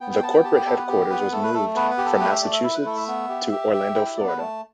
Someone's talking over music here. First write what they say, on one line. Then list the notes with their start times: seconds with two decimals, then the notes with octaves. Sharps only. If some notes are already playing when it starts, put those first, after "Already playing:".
The corporate headquarters was moved from Massachusetts to Orlando, Florida.
0.01 B3 G5
0.12 G5
0.23 B3 A5
0.33 G5
0.44 G4 A5
0.55 G5
0.66 B3 A4
0.77 B4
0.88 G4
1.10 B3 B4
1.32 A3 A4
1.43 B4
1.54 A3 A4
1.76 B3 B4
1.91 B4
1.98 G4
2.05 A4
2.20 A3 B4
2.30 E5
2.42 A3 D5
2.53 E5
2.64 E4 E5
2.75 B4
2.85 A3 A4
2.96 E5
3.08 B3
3.29 G4
3.51 G4
3.73 G4
3.95 E4 G5
4.06 E5
4.17 B3 D5
4.28 B4
4.38 A3 A5